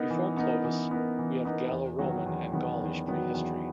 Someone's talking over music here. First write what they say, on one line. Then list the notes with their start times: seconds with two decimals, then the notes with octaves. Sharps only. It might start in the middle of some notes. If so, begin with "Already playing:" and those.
Before Clovis, we have Gallo-Roman and Gaulish prehistory.
Already playing: B3 D#4 A#4
0.10 E3
0.37 B3 D#4 A#4
0.65 E3
0.91 B3 D#4 A#4
1.19 E3
1.45 B3 D#4 A#4
1.72 E2
1.99 D#3 F#3 B3 F#4
2.26 E2
2.53 D#3 F#3 B3 F#4
2.80 E2
3.07 D#3 F#3 B3 F#4
3.34 E2